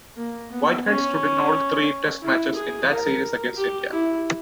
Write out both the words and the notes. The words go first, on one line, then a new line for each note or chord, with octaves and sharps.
Whitehead stood in all three Test matches in that series against India.
A#3
B3
C#4
E4
G#4
A#4
G4
E4